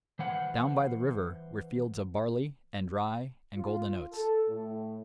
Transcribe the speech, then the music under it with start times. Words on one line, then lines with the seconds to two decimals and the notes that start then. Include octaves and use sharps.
Down by the river were fields of barley and rye and golden oats.
0.19 E3 C5 F#5
3.56 F4
4.13 A4
4.48 A2